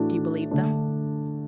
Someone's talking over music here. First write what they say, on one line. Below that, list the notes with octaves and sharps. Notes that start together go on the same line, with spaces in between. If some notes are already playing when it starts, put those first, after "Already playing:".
"Do you believe them?"
Already playing: A2 E3 A3 D4 F#4
D3 A3 D4